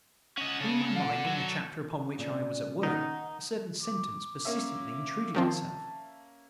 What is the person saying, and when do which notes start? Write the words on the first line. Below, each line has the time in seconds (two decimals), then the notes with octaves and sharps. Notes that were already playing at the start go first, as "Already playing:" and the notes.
Between my mind and the chapter upon which I was at work a certain sentence persistently intruded itself.
0.38 C#4 D#5 F#5
0.60 C#3 A4 D5
0.96 F#5
1.26 F#3
2.19 A#2 C#3 D5
2.83 D#3 D#4 F#5
3.82 D6
4.45 A#3 C#4 E5
5.35 D#3 F3 C4 A5